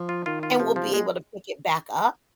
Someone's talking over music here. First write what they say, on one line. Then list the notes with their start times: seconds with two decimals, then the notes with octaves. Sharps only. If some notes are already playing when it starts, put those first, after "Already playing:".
and we'll be able to pick it back up.
Already playing: F3
0.09 F4
0.26 D#3 F4
0.43 F4
0.60 C3 F3
0.76 F3
0.83 C3
0.93 A#2 G#3